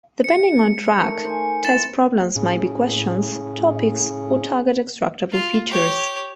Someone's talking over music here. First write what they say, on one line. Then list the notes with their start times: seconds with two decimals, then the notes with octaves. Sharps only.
Depending on track, test problems might be questions, topics, or target extractable features.
0.24 C#7
1.00 A3 D#4 A#4
1.25 C5 G#5
1.65 E4 A6 E7
2.36 A2 C#3
5.32 F4
5.70 G4 C#5